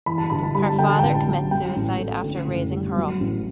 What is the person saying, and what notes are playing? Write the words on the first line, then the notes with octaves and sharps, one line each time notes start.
Her father commits suicide after raising her up.
E3 B5
A5
G1 B5
A5
G3 B5
A5
D3 G5
A5
A1 G5
A5
F#3
F#3 G5
A1
A3
D3
F#1
G3
F#3
A1